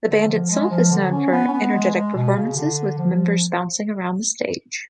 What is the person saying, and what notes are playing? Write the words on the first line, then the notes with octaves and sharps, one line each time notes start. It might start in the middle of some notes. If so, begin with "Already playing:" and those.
The band itself is known for energetic performances, with members bouncing around the stage.
D3
F3
G#3
F3
D3
C#4
B3
C#4
B3
G#3
G#3
B2
C#3
D3
F3